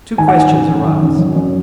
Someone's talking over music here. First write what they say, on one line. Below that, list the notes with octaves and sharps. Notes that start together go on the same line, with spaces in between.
Two questions arise.
D#3 G#5
F#5
D#3 G#5
F#2
F#2
D#3
F#2
F#2
F#2